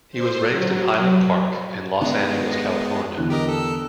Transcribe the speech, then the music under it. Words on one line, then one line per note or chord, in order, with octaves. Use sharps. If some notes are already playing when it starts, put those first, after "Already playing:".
He was raised in Highland Park, in Los Angeles, California.
C5
F#3
D#3 G#3 B3
A#6
E2 D3 F#6
G4 A#4 D#5
A4 E6